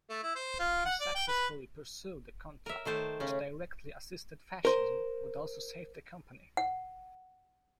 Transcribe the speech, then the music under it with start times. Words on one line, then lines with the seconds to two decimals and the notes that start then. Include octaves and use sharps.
He successfully pursued the contract, which directly assisted fascism but also saved the company.
0.10 A3
0.23 E4
0.35 C5
0.59 F4
0.86 F#5
1.00 D5
1.15 G5
1.28 B4
2.66 A#4 E5
2.85 D#3 A3 C5 A5
3.20 C#3 C#4
4.65 A#4 C5
6.57 F#5